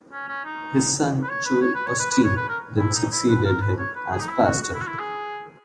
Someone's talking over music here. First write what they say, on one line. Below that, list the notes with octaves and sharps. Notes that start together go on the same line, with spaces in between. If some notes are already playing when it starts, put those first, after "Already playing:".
His son Joel Osteen then succeeded him as pastor.
C#4
C#4
D#4
B4
C#5
B4
C#5
B4
C#5
B4
B4
C#5
B4
A#4
E4
D#4
E4
B4
A#4
B4
C#5
B4
G#4
D#4
E4
F#4
F#4
E4
F#4
E4
G#4